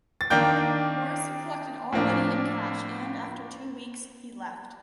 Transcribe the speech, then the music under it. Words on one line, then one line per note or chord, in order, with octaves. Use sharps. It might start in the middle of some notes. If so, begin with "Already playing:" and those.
Morrison collected all money in cash and, after two weeks, he left.
A6
D#3 A#3 D4 G5 G6
A2 F3 A#3 D4